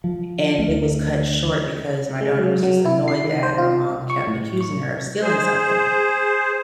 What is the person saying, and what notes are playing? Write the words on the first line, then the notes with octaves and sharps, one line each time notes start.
and it was cut short because my daughter was just annoyed that my mom kept accusing her of stealing something.
F3
D2
G#3
F#3
F#3
E4
C7
D#3
C5
F4
C#6
A2
C#6
G#4 C5